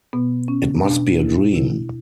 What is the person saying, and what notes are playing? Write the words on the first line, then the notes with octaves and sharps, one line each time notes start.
It must be a dream!
B2 B3
C#4
B2 D4
E4
B2 E4